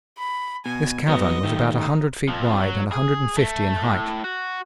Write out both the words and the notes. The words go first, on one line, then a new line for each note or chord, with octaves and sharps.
This cavern was about a hundred feet wide and a hundred and fifty in height.
B5
B2 G#5
F#3 B3 D#5
D#3 A3 G4
D#4
F2 F3
F#3
G#4
A3
A2
F#4